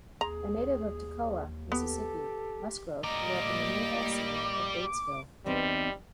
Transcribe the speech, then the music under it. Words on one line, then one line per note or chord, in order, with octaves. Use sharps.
A native of Tocowa, Mississippi, Musgrove grew up in the nearby city of Batesville.
D#2 G#4 A#5
B3 G4 A4
A2 G3 A#3 G4 D#5 A#5 D6
E2 G3 C4 D#4